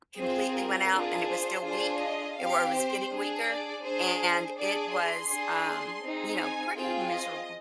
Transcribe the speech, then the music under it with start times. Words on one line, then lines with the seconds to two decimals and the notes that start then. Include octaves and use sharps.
Completely went out, and it was still weak. It or, it was getting weaker, and it was, um, you know, pretty miserable.
0.18 C4 F4 G#4 C5
0.55 A#4
0.92 D4 F4 G#4
1.28 C5
1.64 D4 F4 G#4 C5
2.01 D#5
2.37 C4 G4 F5
2.74 C5
3.11 D4 G#4
3.47 D5
3.84 D4 G#4 C5
4.21 C5
4.58 D4 G#4 D5
4.94 C6
5.31 D4 G#4
5.67 C6
6.04 C4 D#4 G#4
6.41 G#5
6.77 C4 F4 G#4 G5
7.14 D#5